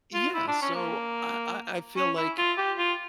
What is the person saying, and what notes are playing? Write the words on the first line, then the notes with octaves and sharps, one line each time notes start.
Yeah, so I I I feel like
F4
E4
D4
C#4
A#3
C#4
E4
F4
G4
F4